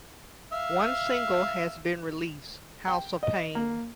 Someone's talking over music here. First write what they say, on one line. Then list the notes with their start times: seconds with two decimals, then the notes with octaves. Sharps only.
One single has been released, "House of Pain".
0.53 E5 F5
2.88 G5
3.23 D#5
3.55 A#3